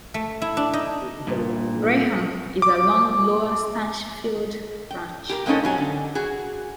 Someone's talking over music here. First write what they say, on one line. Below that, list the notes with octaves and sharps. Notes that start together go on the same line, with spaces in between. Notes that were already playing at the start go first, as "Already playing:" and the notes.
Braham is along Lower Stanchfield Branch.
A3
E4
D4
D#4
G2 A#2
D6
G5
G4 G#4 A#4
G#3 A#3 C4 C#4 D#4 A4
A#2 F#3 G#5
D3
F#4 G#4